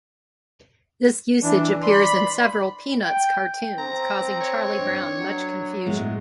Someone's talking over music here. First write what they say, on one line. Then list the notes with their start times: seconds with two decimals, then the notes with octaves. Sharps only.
This usage appears in several "Peanuts" cartoons, causing Charlie Brown much confusion.
1.43 E3 D4
1.83 D5 B5 C6
3.05 G5
3.78 C4 A#5
4.41 C#5
4.79 D4
5.19 F#3
5.86 A2 G#3 B3